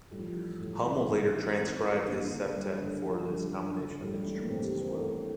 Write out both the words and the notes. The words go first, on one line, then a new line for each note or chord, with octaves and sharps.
Hummel later transcribed his septet for this combination of instruments as well.
A2 G3
F3
G3
E3
A2 G3
E3
A2 G3
E3 C4
A2 C4
E3 C4
G2 A#3
G3
D3
G3
G2 G3
D3 G3
G2 F3
D3 G3
G2
D3
A2 G3
G3
E3 A3
A#3
A2 C4
G4
E3 A4
C5
A#4
A2 A4